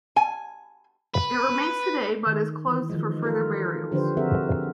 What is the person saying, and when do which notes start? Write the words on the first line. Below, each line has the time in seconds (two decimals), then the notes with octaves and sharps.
It remains today but is closed for further burials.
0.16 G#5
1.14 B4
2.26 D#3
2.68 E3
2.90 D#3 F3 G#3
3.23 F4 A4 A#4
3.92 D3 F3 D4 G4 B4 C5
4.17 F3 C4 F#4 G#4 A#4 E5